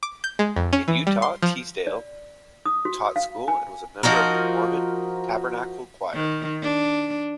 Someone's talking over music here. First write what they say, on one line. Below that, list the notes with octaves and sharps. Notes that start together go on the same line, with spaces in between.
In Utah, Teasdale taught school and was a member of the Mormon Tabernacle Choir.
D6
G6
G#3
F2
C#4
E3
G3
C6
F3
D5
D#6
F#4
F5
G#5
F3 D#4 F#4 A#4
D#3
D4